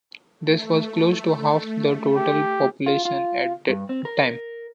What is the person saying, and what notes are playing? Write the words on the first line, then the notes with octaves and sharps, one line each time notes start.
This was close to half the total population at the time.
A3
G4
F4
F4
G2
C4
A#4